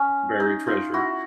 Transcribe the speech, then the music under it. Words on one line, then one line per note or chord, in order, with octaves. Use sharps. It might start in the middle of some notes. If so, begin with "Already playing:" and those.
buried treasure,
Already playing: C#4
D#4
D#4 F4
E4 F#4